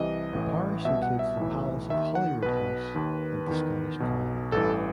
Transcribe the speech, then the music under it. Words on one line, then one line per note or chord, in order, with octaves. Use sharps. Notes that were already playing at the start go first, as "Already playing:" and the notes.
The parish includes the Palace of Holyroodhouse and the Scottish Parliament.
Already playing: C2 C3 E3 D#5
A1 A2 E3
C2 B2 E5
F#5
E5
B1 A2 E3
D#2 D#3 E5
F#5
B1 B2 B4
D#2 D#3
E2 D#3
B1 B2
A1 G2 E3 A4